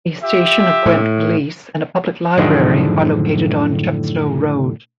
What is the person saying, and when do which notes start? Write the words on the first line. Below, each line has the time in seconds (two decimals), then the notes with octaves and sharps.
A station of Gwent Police and a public library are located on Chepstow Road.
0.23 F4 G4 E5
0.86 A2
2.37 F#2 A2 D3 D#3 F3 G#3